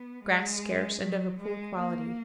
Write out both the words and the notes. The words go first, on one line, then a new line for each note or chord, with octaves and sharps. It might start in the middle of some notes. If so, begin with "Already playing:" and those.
Grass scarce and of a poor quality.
Already playing: B3
G#3
F#3
G#3
A#3